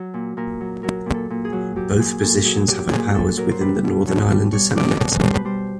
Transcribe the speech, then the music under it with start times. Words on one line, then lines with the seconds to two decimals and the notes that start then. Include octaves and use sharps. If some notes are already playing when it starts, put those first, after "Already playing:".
Both positions have identical powers within the Northern Ireland Assembly.
Already playing: F#3
0.14 A#2
0.37 A#2 A#4
0.61 F#3
0.83 F#3 A#4
1.06 A#2
1.14 A4
1.30 A#2
1.45 G#4
1.52 F#3
1.76 F#3 G4
1.99 A#2 G#4
2.22 A#2 A4
2.45 F#3 G#4
2.68 F#3 G4
2.91 A#2 G#4
3.14 A#2 A4
3.37 F#3 A#4
3.51 C5
3.61 G3 B4
3.84 B2
4.07 B2 C#5
4.29 G3
4.52 G3 C#5
4.76 B2 D5
4.99 B2 C#5
5.22 G3 C5
5.33 B4
5.45 G3 C5